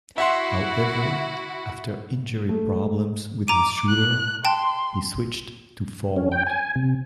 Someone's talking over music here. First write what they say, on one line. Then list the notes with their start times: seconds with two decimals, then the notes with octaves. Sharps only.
However, after injury problems with his shoulder, he switched to forward.
0.18 E4 F#4 E5 F#5 C6
2.49 A3
3.48 A#5 D6 D#7
3.89 F#6
4.45 G5 A5 C6
6.16 C#4
6.32 G5
6.47 G#5
6.76 C3